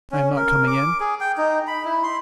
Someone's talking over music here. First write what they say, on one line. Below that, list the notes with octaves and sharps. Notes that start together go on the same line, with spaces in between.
I am not coming in.
C#4
A#4
D6
G#4
G5
D#4
B5
E4
C6